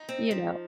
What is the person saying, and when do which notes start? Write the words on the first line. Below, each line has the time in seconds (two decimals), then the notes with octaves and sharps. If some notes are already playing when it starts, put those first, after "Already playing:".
you know.
Already playing: D#4
0.09 C4
0.31 F3